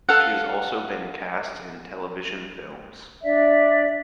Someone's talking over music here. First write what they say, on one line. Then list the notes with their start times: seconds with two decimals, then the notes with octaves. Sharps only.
She has also been cast in television films.
0.09 A4 F5 F#5
3.21 D4 D5 E5